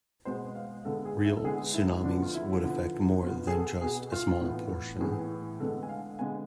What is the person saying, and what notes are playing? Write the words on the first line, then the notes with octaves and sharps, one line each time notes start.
Real tsunamis would affect more than just a small portion.
B2 G#3 B3 C5
F5
D3 G#3 B3 A4
G#4
E4
A4
D3 G#3 B3 G#4
E4
D3 F3 B3 D4
F4
E4
D3 F3 B3
B2 B3 F4
G#4
A4
B2 B3 G#4
F4
A2 E3 B3
A2 E3 B3 G#4
D3 G#3 B3 A4
G#5
F5
D3 G#3 B3 G#5